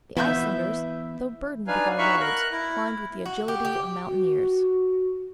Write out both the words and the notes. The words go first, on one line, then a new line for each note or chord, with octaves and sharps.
The Icelanders, though burdened with our loads, climbed with the agility of mountaineers.
E3 B3 E4 E5 G6
D4 D#4 B4 F5 G#5
D#4 F#4 E5 F5 B5 C#6
A#4 F#6
E4
F#4
G4
G4
F#4